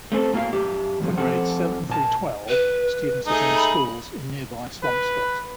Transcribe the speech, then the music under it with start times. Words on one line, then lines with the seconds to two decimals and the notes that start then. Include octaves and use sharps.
For grades seven through twelve, students attend schools in nearby Swampscott.
0.12 A3 C4 G#4 A4
0.33 A2 A#3 F4 F#4 F5
0.53 F#2 G4 E5
1.00 E2 G2 F3
1.18 F3 C4 A4 F#5
1.89 A#2 A5
2.49 B4
3.27 A3 D#4 G#4
3.54 B5
4.83 B4